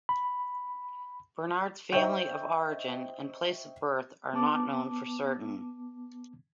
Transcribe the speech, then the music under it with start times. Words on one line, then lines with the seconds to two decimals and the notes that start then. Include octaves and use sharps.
Bernard's family of origin and place of birth are not known for certain.
0.09 B5
1.92 C5 D#5 E5 G5 C#6 G6
4.33 B3 A5 D6